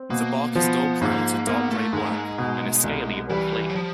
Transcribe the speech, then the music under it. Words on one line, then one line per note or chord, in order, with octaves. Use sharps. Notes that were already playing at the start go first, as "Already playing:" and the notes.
The bark is dull brown to dark gray-black, and is scaly or flaky.
Already playing: C4
B2 A#3
F3 B3
G#2 A#3
A#3 B3
A3
G#2 G#3
A3
G#3
B2
C2
E3 G3
F#3
F3